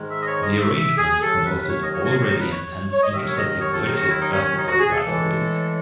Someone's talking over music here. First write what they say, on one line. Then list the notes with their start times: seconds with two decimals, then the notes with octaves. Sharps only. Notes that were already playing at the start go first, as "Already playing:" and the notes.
The arrangement promoted already intense inter-city collegiate basketball rivalries.
Already playing: G#2 D#3 G#3
0.09 E5
0.21 D#5
0.26 C#5
0.41 D#5
0.58 E5
0.74 E5
0.97 G#4
1.21 D#2 D#3 F#3 A4
1.44 B4
1.59 B4
1.68 C#5
1.81 D#5
1.93 C#5
2.04 F#4
2.11 G#4
2.16 F#4
2.29 D#4
2.40 B4
2.52 C#5
2.92 C#5
3.02 D#5
3.12 D#2 D#3 F#3 E5
3.27 C#5
3.36 D#5
3.60 C#5
3.72 A4
3.84 D#4
3.91 G#4
3.96 F#4
4.07 E4
4.20 D#4
4.31 C#4
4.43 C#4
4.55 D#4
4.67 F#4
4.79 G#4
4.91 A4
5.04 A2 E3 G#3